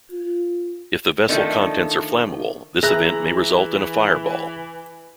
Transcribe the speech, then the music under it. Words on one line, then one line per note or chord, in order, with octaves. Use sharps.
If the vessel contents are flammable, this event may result in a "fireball".
F4
D3 D#3 F3 A3
E3 G#4 E5 A#5 F#6